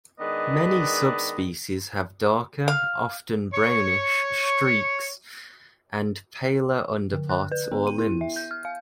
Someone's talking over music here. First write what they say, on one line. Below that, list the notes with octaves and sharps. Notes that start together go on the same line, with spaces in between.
Many subspecies have darker, often brownish, streaks, and paler underparts or limbs.
D#3 G#3 B3 D4 B4 D#5
F5
C#5 C#6
D3
F#6
B4
B3
D#7
E4
E5
G6
F6
F5